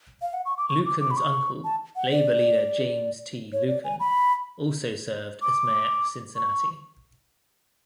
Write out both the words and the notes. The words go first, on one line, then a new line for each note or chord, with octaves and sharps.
Luken's uncle, labor leader James T. Luken, also served as mayor of Cincinnati.
F5
F#5
C#6
D6
C#6
D6
D6
B5
C#6
A5
F#5
D5
C#5
D5
G#5
B5
D6
C#6